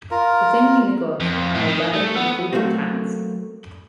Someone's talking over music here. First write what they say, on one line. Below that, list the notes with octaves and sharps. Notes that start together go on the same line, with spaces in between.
Within Unigov are eleven "included towns".
F4 A#4
F2
A2
D#3
A3
B3
F#3 A3 A#3 C4 F#4